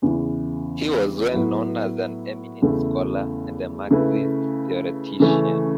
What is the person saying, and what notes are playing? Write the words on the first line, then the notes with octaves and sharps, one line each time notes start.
He was well known as an eminent scholar and a Marxist theoretician.
E2 C#3 E3
A2 F#3 B3 E4
E2 C#3 A3 E4
C#3 A3 E4 B4
C#3 E3 A3 C#4